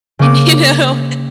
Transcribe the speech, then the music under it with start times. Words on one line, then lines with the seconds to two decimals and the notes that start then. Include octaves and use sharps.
y you know
0.19 C#3 A#3 D6